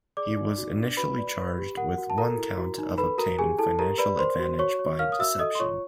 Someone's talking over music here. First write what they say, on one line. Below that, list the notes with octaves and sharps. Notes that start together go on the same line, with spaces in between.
He was initially charged with one count of obtaining financial advantage by deception.
G#4 D5 D6
D#4
F#4
D4
F#4 B4 B5
D5
B4
G4
A#4 F#5
F#4
A5
A4 A#4 A#5
E4
F#4
D#4
A4 B4 B5
F#4 A#4 A#5
G4 G#4 G#5
E4 A4 A5
G4 A#4 A#5
B4 D5 B5
A#4 C5 C6
F#4
F#4 C#5 C#6
C#5
A#4 F5 F6
D#6
F#4 E5 E6
A4 D#5 D#6
C6
F4 C#5 C#6